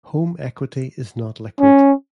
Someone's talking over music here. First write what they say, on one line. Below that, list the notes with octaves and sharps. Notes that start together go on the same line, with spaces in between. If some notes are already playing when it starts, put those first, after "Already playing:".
Home equity is not liquid.
C#4